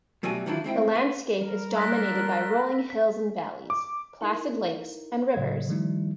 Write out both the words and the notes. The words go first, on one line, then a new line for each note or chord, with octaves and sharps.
The landscape is dominated by rolling hills and valleys, placid lakes and rivers.
B2 F#3 G3 A3 F#4 G#5
D#3 E3 F#3 D4 E4 F4
G#3 C4 E4 G5
B4
G3 A#4
D4 C6 E6 F#6 A#6 B6
B6
D6
D#4 E4 A#4
A2 C#3 F#3 D#5 G#6
D#3 F3 G3 A3 D#4 E4